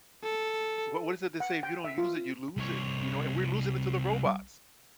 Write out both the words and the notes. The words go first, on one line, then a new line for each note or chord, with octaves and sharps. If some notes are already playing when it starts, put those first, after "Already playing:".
What was it they say, "If you don't use it, you lose it," you know, and we're losing it to the robots.
A4
F#5
G5
E5
F4
C2 C#5